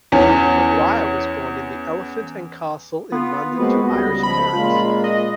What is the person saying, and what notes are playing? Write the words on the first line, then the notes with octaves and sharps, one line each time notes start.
Maguire was born in the Elephant and Castle in London to Irish parents.
E2 C#4
B3 F4
G#3 A#3 C4 F#4 B4
C#2 C#3 G3 D#5
F3 B5
A#2 G#3 A#3 C#4 F4
D#5